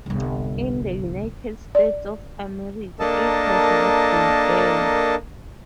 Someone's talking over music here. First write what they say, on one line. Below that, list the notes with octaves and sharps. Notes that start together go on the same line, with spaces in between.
In the United States of America, it has not been banned.
G1 C2
D5
A#3 D4 A4 A#4 D#5 A5